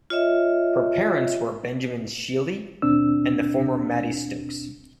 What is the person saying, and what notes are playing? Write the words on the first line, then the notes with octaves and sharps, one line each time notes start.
Her parents were Benjamin Shealey and the former Mattie Stokes.
F4 C#5 D#5 E5
D#2 B2 C4 D4 E6